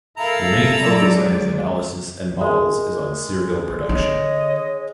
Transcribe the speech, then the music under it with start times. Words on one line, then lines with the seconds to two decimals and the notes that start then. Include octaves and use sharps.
The main focus of his analysis and models is on cereal production.
0.18 E4 A4 A#4 F5 A#5
0.77 F#3 G#3 D5
2.41 G#3 A#4
3.89 D3 C#5 D#5